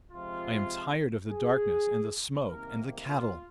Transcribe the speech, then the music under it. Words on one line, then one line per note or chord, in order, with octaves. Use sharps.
I am tired of the darkness and the smoke and the cattle.
C3 F3 G#3 F4
G#4
C3 D#3 A#3 A#4
F4